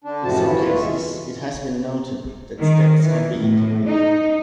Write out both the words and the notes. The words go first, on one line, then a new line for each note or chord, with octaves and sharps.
In some cases, it has been noted that steps can be integrated.
D3 D4
F#2 A2 C3 F3 F#4 A5
G2 E3 E4 F#4
E2 E3 F4 B4 C#5
F2 G#3 E5
D#3
E3
A2
D#4